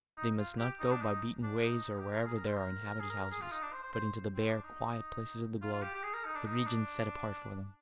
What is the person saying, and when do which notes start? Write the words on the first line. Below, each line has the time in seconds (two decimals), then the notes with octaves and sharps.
They must not go by beaten ways or wherever there are inhabited houses, but into the bare, quiet places of the globe--the regions set apart for them.
0.17 D#4
0.38 F4
0.58 G4
0.79 D#4
0.91 D4
1.01 D#4
1.43 D4
1.63 D#4
1.85 D#4
1.99 G4
2.12 A#4
2.26 G#4
2.37 A#4
2.47 C5
2.57 A#4
3.00 G#4
3.10 A#4
3.21 A#4
3.31 G#4
3.41 F4
3.52 D#4
3.62 D4
3.72 C5
3.83 C5
3.93 C5
4.35 C4
4.49 D4
4.64 D#4
5.62 F4
5.72 F4
5.82 G4
5.94 G4
6.03 G#4
6.14 A#4
6.25 D#4
6.35 D4
6.45 D#4
6.66 D4